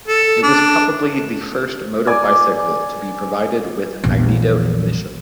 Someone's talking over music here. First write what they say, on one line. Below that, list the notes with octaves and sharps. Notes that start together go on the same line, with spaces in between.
It was probably the first motor bicycle to be provided with magneto ignition.
A4
D4
D5 G#5 D6
A#1 E2